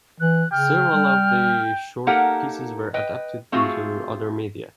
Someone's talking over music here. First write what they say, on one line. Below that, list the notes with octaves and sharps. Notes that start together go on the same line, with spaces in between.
Several of the short pieces were adapted into other media.
E3 F#6
C#3 G5 F6
G3
A#3 D#4 G4 A4 A#4 F#5
B4 D#5 G5
A3 C4 F4 F#4 G#4